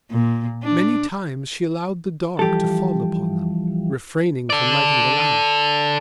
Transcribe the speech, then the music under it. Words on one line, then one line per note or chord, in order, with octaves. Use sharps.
Many times she allowed the dark to fall upon them, refraining from lighting the lamp.
A#2
D4
E3 F3 G3 G4 A4
A4 D5